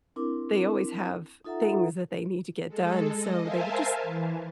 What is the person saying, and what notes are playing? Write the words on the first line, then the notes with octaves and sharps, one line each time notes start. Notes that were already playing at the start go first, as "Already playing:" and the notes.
they always have things that they need to get done- so they would just
C4 D4 E4 A#4 D6
D#4 F4 A4 E5 F#5 A#5
G#3 A4
D#5
A#4 C5 E5 F5 G#5 A5
E3